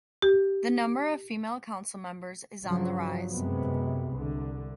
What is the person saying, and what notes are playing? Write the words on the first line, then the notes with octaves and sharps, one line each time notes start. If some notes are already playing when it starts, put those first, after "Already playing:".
The number of female council members is on the rise.
G4
G2 C#3 F3 F#3
F#2 C3 G#3 B3
C2 D3